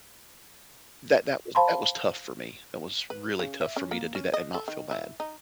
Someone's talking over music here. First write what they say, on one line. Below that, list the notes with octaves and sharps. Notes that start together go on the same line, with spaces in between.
that that was that was tough for me. That was really tough for me to do that and not feel bad.
C5 F5 A5 B5 C6
B4
C#3
E5
C#4
A#3
C#4
D#5
A4
D#3
E4
D#4